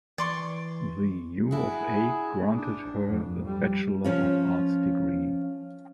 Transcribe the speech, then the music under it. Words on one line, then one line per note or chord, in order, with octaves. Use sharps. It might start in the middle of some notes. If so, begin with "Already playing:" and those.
The U of A granted her a Bachelor of Arts degree.
E3 D5 C6 C#6
D4 E4 F#4 G#4
D4
F2
G3
F3 C#4 F4